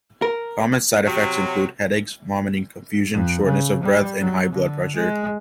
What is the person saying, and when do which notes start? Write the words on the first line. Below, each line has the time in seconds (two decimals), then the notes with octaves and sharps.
Common side effects include headache, vomiting, confusion, shortness of breath, and high blood pressure.
0.22 A#4
1.06 C3 F#3
3.13 F2
3.45 C#3
3.83 G3
4.21 F#3
4.52 D3
4.95 G#3